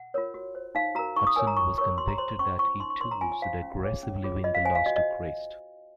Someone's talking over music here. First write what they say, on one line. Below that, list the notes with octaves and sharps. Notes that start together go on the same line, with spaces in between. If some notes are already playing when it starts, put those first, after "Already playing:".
Hutson was convicted that he too should aggressively win the lost to Christ.
Already playing: F#5
F4 A#4 C#5
F#4
C5
D#4 F5
F#4 A#4 A#5
D#4 C#6
D#6
A#4 C#5 G#5
A#5
F4 C#6
A#4 C#5 C#6
F#4 C6
A#5
C5 C6
C6
C#4 C#6
F4 C5 C#6
D#4 C6
C#6
A#4 C#5 C6
A#5
F4 G#5
G#5
C5 F5
C#4
F4 G#4 C#5
C#4
F4 G#4 C#5
F4 D#5
F5
C5 G#5
F5
F#4 D#5
D#5